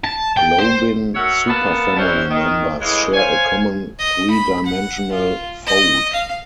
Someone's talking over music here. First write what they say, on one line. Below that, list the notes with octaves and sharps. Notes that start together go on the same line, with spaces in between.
Globin superfamily members share a common three-dimensional fold.
A5
G5
C5
F#4 A4 A#4 C#5 E5 F#5
A#3 B3 A5
F#2 G3 C#4 E4 F#4 C5
D#3
A2 C#3 E3 G#3
C5 C#5 F5 G#5
D#5
B5
F#5
F4
D#5
F5